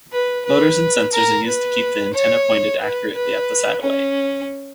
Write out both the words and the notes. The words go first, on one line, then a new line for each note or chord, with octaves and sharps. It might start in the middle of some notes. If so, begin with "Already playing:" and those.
Motors and sensors are used to keep the antenna pointed accurately at the satellite.
B4
B4
A#4
B4
C#5
B4
B4
C#4